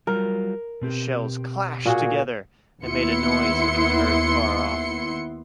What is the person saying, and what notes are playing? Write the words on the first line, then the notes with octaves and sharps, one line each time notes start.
The shells clashed together and made a noise which was heard far off.
F#3 G3 F4 A#4
B2 C4 G4
A#2 F#4 G#4
D#2 B3 E4 C6 C#7